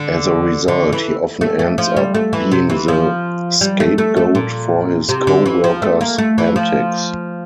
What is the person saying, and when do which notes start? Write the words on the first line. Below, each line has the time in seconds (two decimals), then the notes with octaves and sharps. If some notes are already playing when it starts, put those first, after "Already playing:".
As a result, he often ends up being the scapegoat for his coworkers' antics.
Already playing: D3
0.68 D3
0.93 E3
1.41 A3
1.59 A3
1.78 F3
1.97 G3
2.15 A3
2.33 E3
2.52 C3
2.70 E3
2.88 F3
3.61 G3
3.80 A3
3.98 A3
4.17 A3
4.35 A#2
5.09 C3
5.27 D3
5.46 E3
5.64 F3
5.82 A3
6.01 A#3
6.18 A3
6.38 E3
6.56 F3